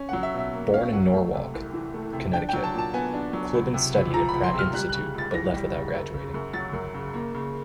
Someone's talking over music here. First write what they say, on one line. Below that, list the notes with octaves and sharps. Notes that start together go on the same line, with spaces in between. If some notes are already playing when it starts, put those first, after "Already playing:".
Born in Norwalk, Connecticut, Kliban studied at Pratt Institute but left without graduating.
Already playing: C#4
F#5
F#3
E5
B2 E5
A#3
C#4 F5
F#3 F#5
A3
C3
C2
E3
A3
C3
D4 G5
G5
F#3
A5
A#2 A5
B3 G#5
D4
F#3
C#2
C3
C#2
F3 A#5
B5
C#2
C6
C3 F6
G3 F#6
F#6
C#3
C#2 A6
E3 A#6
G3
C#3
F#2
C#3
F#2
F#3 A6
F#2
C#3
A#3
C#3